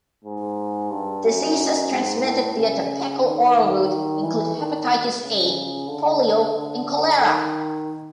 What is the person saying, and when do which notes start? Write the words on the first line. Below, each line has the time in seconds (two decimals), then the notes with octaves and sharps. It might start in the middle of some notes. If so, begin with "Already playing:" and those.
Diseases transmitted via the fecal-oral route include hepatitis A, polio, and cholera.
0.25 G#2
0.91 G2
1.24 F#2
1.91 G#2
2.23 A2
2.57 C#3
3.23 D#3
3.56 D#3
4.22 E3
4.55 D#3
5.22 C#3
5.88 D3
6.54 D3
7.20 D#3